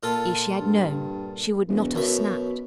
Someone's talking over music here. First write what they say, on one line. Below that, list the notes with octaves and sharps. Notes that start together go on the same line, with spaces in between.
If she had known she would not have snapped.
A#2 F4 A4
G2
E1
F#2 B2 E5